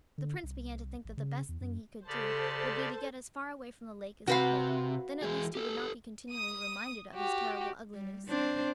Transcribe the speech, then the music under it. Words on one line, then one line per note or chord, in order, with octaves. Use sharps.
The Prince began to think that the best thing he could do would be to get as far away from the lake as he could, then at least he would not be continually reminded of his terrible ugliness.
D3
C2
A1
C#3
E2
F#2
C#3 G4 A4 C5 D5 A5
C3 F#4 B4 F5
E3 G#3 G#4
G4 A4
D#6 D#7
F#4 G4
G3
C4 D4 C5